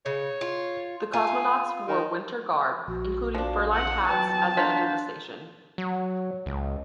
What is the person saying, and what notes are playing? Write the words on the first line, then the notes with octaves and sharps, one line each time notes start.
The cosmonauts wore winter garb, including fur-lined hats, as they entered the station.
C#3 C#5
F4
F4 G#5
D#3
A#1 F#4
F3 D4
F#5
F#3 B4 G5 A5
F#3 D4 F4 F#6 G6 B6
F#3
C#2